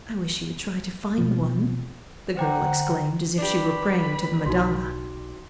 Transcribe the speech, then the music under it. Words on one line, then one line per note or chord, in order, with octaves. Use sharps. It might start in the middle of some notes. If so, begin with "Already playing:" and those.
"I wish you would try to find one," the girl exclaimed as if she were praying to the Madonna.
B2 F3
D3 C5 F#5 G5 A#5 D6
D4 G4 B4 B5
B1 D#4 F#4 C6